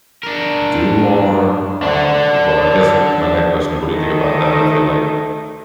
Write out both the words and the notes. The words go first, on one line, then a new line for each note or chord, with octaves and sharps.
do more?" Um, bu but I guess my next question, what do you think about that? I feel like
D4 A#4
D4 F#5
D#3 A3